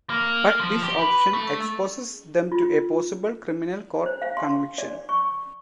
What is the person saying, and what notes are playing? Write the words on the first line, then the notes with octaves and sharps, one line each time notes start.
But this option exposes them to a possible criminal court conviction.
A#3
F3
G4
B4
A3
F4
C5
F5
C6
D5
C#6